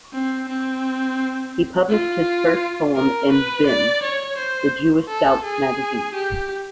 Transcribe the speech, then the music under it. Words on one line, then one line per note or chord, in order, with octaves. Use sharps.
He published his first poem in "Bin", the Jewish scouts magazine.
C4
C4
F4
A#4
B4
D5
C#5
C5
A4
G#4
G4